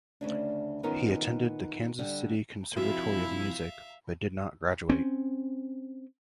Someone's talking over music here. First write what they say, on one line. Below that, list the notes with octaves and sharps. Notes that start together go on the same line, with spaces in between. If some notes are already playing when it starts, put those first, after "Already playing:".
He attended the Kansas City Conservatory of Music, but did not graduate.
D2 C#3 D4
D#3 B3 C#4 D#4 F4 A#4
D3 G3 D4
C3 F3 E4 F#4 E5 F5
C4 C#4